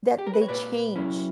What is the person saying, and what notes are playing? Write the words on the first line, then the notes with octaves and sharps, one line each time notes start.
that they change
G4
A#4
B4
C#5
A#2 B4 D5
F#3 C#4 E4